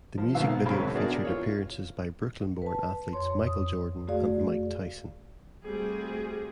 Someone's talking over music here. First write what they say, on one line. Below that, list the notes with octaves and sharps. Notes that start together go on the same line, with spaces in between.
The music video featured appearances by Brooklyn-born athletes Michael Jordan and Mike Tyson.
F3
B1 G#2 D#3 B3 F5 E6
F#2 C#3 G#3 C4 A#5 B5
B1 F#3 E5
B3 D4 F#4 G#4 A#4 D5
E3 F4 C#5
B4 A5
F2 C#5 C6
D#6
A3 F#4 G#4 D5 F5
G3 A3 C4 F#4 G#4